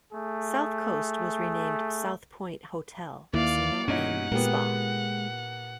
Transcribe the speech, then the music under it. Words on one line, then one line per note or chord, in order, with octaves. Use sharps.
South Coast was renamed South Point Hotel, Casino and Spa.
A3 G#4
D#2 A#3 E4 D5 F5
G2 B2 C#4 D#4 F#5
A#2 G#3 A#3 B3 G4